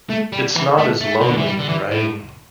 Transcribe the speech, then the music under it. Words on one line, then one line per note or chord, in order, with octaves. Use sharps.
It's not as lonely as writing.
A3
G3
E3
A3
A3
B2
D3
E3
G3
D3
E3
A2